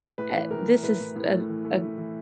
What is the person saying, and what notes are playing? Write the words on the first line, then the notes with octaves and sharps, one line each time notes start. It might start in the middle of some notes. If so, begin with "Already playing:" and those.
uh, this is a a
A2 B4
E3
A2 A#4
E3
A2 B4
A2
A2
A3
E3
A3
E3
E3